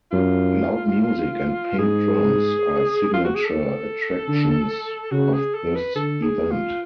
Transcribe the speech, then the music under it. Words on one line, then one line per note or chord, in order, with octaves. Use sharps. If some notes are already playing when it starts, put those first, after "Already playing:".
Loud music and paint drums are signature attractions of this event.
F#2 F4
G#2 G#4
F4
F#4
G#4
A4
D3
C#3 F#4
G#4
A4
B4
D3 A4
G#4
F4